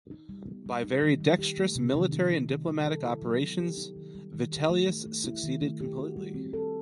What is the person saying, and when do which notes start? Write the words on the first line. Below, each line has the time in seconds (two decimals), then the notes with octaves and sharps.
By very dexterous military and diplomatic operations Vitellius succeeded completely.
0.11 D#4
0.29 G3
0.47 B3
0.66 G3
0.84 D#4
1.02 D#3
1.20 G3
1.39 G4
1.58 A3
1.76 C3
1.95 D#3
2.12 D#4
2.31 D#4
2.49 D#3
2.68 G3
2.86 A4
3.04 E4
3.22 F#3
3.41 B3
3.60 G4
3.77 D#4
3.96 D#3
4.15 G3
4.34 D#3
4.52 G4
4.69 A3
4.89 D#4
5.06 A3
5.24 E4
5.43 D#3
5.62 A3
5.81 G4
5.98 F#4
6.17 G3
6.34 C4
6.53 A4